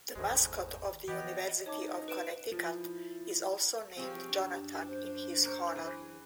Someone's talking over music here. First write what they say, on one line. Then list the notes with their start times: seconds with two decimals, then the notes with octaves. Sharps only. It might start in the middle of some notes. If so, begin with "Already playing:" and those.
The mascot of The University of Connecticut is also named "Jonathan" in his honor.
0.15 G#1 E2 A2 D#3 G#3 C5
1.08 E3 F3 B3 G4 D#5
1.66 D2 C#4 D#4 C#5 A5 D6
2.08 B4 D7 E7
2.52 F3 E4
3.97 F3 C4 G4 G#4 C#5
4.35 F#2 D4
4.87 C5
5.43 A#3 A#4 C#5
5.75 E3 G#4